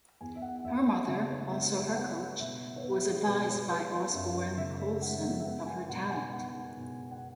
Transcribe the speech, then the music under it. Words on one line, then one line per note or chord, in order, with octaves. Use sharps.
Her mother, also her coach, was advised by Osborne Colson of her talent.
E2 G#5
E5
F#5
E2 E5
F#5
C#3 E5
C#5
G#3 E5
C#5
E5
B3 F#5
B2 E5
C#5
B3 B4
G#4
B2 B4
C#5
B3 B4
C#5
F#2 E5
C#5
C#3 E5
G#3 F#5
E5
B3 F#5
G#5
B2 F#5
G#5
B3 F#5
B2
F#5